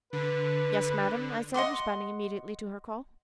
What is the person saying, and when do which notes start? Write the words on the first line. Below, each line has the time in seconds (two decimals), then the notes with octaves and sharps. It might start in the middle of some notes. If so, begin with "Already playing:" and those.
"Yes, madam," I said, responding immediately to her call.
0.13 D3 B4
1.54 D#5 F#5 C6 D6